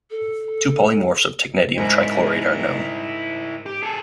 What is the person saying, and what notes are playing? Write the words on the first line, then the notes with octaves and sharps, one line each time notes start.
Two polymorphs of technetium trichloride are known.
A4
G#2 E4 A#4
G4
G#4 A4